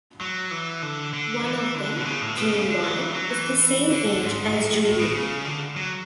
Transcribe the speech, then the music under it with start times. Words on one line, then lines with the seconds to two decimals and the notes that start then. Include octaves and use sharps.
One of them, Jean Bonnet, is the same age as Julien.
0.21 F#3
0.51 E3
0.82 D3
1.14 D3
1.43 E3
1.75 D3
1.97 B2
2.06 C#3
2.21 A2
2.37 B2
2.52 C#3
2.67 D3
2.83 F#3
2.98 E3
3.14 F#3
3.29 E3
3.91 D3
4.06 D3
4.22 G#2
4.53 A2
4.84 A2
4.99 B2
5.14 C#3
5.45 D3
5.76 F#3